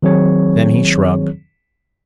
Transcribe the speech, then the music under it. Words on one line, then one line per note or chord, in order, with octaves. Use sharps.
Then he shrugged.
D#3 F#3 C4 G#4 C#5